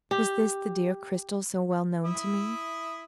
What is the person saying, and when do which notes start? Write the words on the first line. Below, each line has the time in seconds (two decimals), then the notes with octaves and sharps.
Was this the dear Cristel so well known to me?
0.11 G4
2.05 E4 E5 D#6